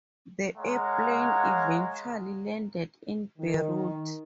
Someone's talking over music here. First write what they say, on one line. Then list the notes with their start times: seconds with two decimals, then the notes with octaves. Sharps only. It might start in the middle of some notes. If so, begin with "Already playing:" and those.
The airplane eventual landed in Beirut.
0.58 G#3 A#4 C#5 F5 F#5 A#5
3.38 D#3